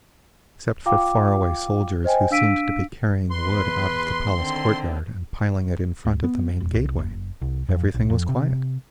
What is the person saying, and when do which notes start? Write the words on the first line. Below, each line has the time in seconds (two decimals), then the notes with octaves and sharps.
Except for far-away soldiers who seemed to be carrying wood out of the Palace courtyard and piling it in front of the main gateway, everything was quiet.
0.86 F4 F5 G5 D6
2.04 C5 D#5 G5 G#5
2.31 D4 F5 E6 B6 D7 D#7
3.31 E2 B4 C6
4.34 D3 D#3 C4
6.05 D1
6.24 B3
6.60 E1
6.74 C2
6.99 F#1
7.42 C2
7.69 F2
7.94 B1
8.10 F2
8.29 C3